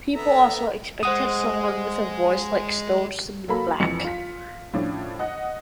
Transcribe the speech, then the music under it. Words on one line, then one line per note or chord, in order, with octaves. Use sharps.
People also expected someone with a voice like Stone's to be black.
B3 A4 E5 A#5
G#3 C5 F#5 D#6
F#3 A#3 A4 B5
F2 E3 C#7
F4 B6
A2 F3 C#4 D4
D#5 F#5